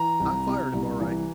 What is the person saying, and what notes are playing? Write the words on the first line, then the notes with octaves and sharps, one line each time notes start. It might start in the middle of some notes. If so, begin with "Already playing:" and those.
I fired him, all right.
Already playing: E3 A#5
C2
C3
C2
E3